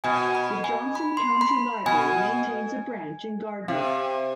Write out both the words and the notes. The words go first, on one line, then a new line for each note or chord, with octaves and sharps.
The Johnson County Library maintains a branch in Gardner.
B2 G#5
B5
G#5
B5
C6
B5
B2 G#5
C3 F5